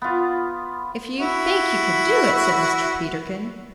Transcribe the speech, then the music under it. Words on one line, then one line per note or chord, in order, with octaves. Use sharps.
"If you think you could do it," said Mr. Peterkin.
B3 F4
E4 F#4